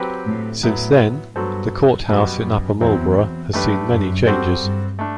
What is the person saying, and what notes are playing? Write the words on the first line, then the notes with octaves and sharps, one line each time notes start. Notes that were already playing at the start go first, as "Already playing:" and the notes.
Since then, the courthouse in Upper Marlboro has seen many changes.
Already playing: F#3 C4 G4 B4
A2
A2 F#3 B3 E4
G2 F#3 B3 F#4 A4 C5
F#2 B2 G3 B3 F#4
F#2
E2 F#3 C4 E4
F#2 A3 D4 G4 B4
F#2
G3 C4 F#4 A4 C5
G2
A3 D4